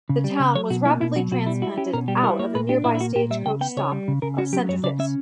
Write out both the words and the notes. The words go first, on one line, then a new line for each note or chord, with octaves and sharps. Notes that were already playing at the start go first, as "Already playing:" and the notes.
The town was rapidly transplanted out of the nearby stagecoach stop of Senterfitt.
C#3
G3
C#3
F#3 C#5
B2 F#4
A#3 E4
B2 E4
F#3 F#4
B2 F#4
G3 E4
E4 F#4
C#4 G4
B2 A#4
G3 G4
E4 A#4
A#3 C#5
A#2 B4
D4 G4
A#2 E4
E4
A#3 F#4
A#2 G4
G3 E5
C#3 G5
B3 G5
C#3 C#5
G3
C#3
C#3 A#4
C#4 F#4
F#3 G4
F#2 C#5
C#3 D5
C#4 E5